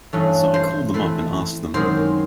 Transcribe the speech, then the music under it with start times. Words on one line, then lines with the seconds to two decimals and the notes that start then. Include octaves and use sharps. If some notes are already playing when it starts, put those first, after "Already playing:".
So I called them up and asked them.
0.13 G2 E3 A3 C#4
0.54 C5
0.94 E3 A3 C4 E4
1.74 F#2 D#3 G#3 C4 C5